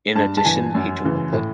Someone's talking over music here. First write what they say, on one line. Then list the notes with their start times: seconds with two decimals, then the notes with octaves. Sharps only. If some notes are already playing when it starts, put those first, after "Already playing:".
In addition, he took a Litt.
0.15 G2 A5
0.37 A5
0.44 E3 G#5
0.75 F#2
1.04 C#3 E3
1.33 A2